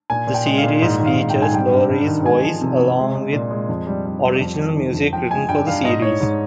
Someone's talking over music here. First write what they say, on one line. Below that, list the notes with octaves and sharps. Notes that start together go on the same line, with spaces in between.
The series features Laurie's voice, along with original music written for the series.
A#2 G#5
A#2
G5
G#3
F5
A#2
G#2 D#5
D#3
F5
G#2
G5
G#2
G#5
G3 G5
G2
G2
D#3
G#3 G#5
F3
C3
C3
G#3
G#3
A#2
G#3
F2
G3
G3
G3
F2
D#3
F2
F2
F3 G5
G#3 G#5
G2 G5
G2 F5
G#2 D#5
G#2 C#5
G#2